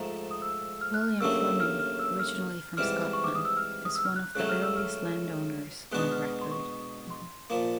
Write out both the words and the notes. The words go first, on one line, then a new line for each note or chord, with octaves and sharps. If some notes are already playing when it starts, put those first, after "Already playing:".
William Fleming, originally from Scotland, is one of the earliest landowners on record.
Already playing: G#2 F3 A3 A#5
D#6
E6
F6
F#6
F6
D#2 C#3 F#3 A3 D4 E6
E6
F6
F6
E6
F6
G#2 E3 G3 C4 F6
C#6
D6
D#6
E6
F6
D#6
E6
F6
F#6
C#2 C#3 F#3 A3 F#6
F6
E6
F6
B2 G#3 B3 D4 F#4 F#6
F6
C6
C#6
C6
A#2 F3 A#3